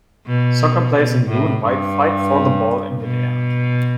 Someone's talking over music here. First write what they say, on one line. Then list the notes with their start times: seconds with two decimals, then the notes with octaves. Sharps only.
Soccer players in blue and white fight for the ball in midair.
0.26 B2
0.95 B2
1.29 A2
1.64 G2
3.01 B2